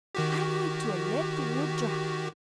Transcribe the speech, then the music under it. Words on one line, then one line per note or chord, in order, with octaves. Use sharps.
I like to 'a' let de wood drap!
D#3 F#4 G4